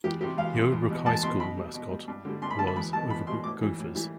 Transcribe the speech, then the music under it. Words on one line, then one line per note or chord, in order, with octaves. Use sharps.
The Overbrook High School mascot was Overbrook Gophers.
E2 G4
C3 G3 G4
E2 F5
C3 G3
E2
B2 G3
E2 A5
B2 G3 C6
B2 B5
G3
B2
G3
G2
D3 G3
G2 C6
B5
D3 G3 A5 B5
E2 B5
B2 G3 A5
E2 B5
B2 G3 C6
A2 D6
E3 G3
A2
E3 G3